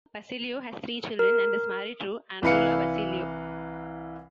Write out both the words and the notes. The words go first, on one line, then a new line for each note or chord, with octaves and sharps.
Vassiliou has three children and is married to Androulla Vassiliou.
A#4
C2 E3 E4 B4 F5 C#7